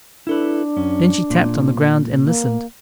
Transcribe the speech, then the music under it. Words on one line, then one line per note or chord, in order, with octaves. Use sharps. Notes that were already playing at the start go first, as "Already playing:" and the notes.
Then she tapped on the ground and listened.
D4 E4 A4 B4
F#2 C#4
A#2
A#3